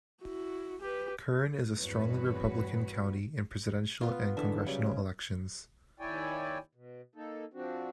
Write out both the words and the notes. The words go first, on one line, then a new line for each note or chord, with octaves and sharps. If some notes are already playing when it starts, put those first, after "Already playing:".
Kern is a strongly Republican county in Presidential and congressional elections.
E4 F#4
G4 B4
E2 G2 C4 F#4 B4 C#5
B3 F4
D3 E3 D4 E5
C#3 F#3 G3
D#2 E4 C#5 D5 G5 G#5
B2
A#3 D#4 A4
F3 C4 D4 F#4